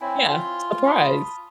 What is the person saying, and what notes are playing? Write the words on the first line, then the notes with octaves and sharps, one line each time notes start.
Yeah, surprise.
C4 E4 C#5 G#5
F4
A5 B5 D#6